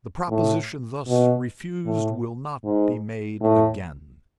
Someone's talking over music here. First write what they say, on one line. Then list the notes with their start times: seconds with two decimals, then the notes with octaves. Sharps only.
The proposition thus refused will not be made again.
0.29 A2
1.07 B2
1.85 A2
2.64 G#2
3.41 A2